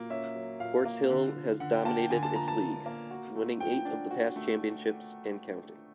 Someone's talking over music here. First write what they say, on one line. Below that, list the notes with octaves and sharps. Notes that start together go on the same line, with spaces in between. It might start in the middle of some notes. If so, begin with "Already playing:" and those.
Quartz Hill has dominated its league, winning eight of the past championships, and counting.
Already playing: A#2 F#3 A#3
C#4 E5
F#3
A#2 F5
A#3
D3
F3
D3 F#5
G5
A#3 A5
G5
D3 G#5
A5
F3 A#5
A5
D3
A#3
F#4
A3
F3 G5
D4
F#4
A3